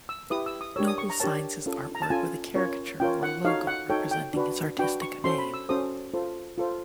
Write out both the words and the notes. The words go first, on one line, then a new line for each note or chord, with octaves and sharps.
Noble signs his artwork with a caricature or logo representing his artistic name.
E6
E4 G4 B4 D#6
E6
D#6
D4 G4 A#4 C#5 E6
D#6
C#6
A#5
D4 G4 A#4 C#5 A5
C#4 F4 A4
A#5
A5
C#4 F4 A4 G#5
C#4 F4 A#4 C#5
C#4 F4 A#4 C#5 G5
F#5
D#4 F#4 A4 C#5 F5
F#5
D#4 F#4 A4 C#5 G5
G5
D4 F#4 B4
D4 F#4 B4 G5
C#6
C#4 F#4 A4 C5 C6
B5
E6
C#4 F#4 A4 C5 D#6
F4 A4 C5
F4 A4 C5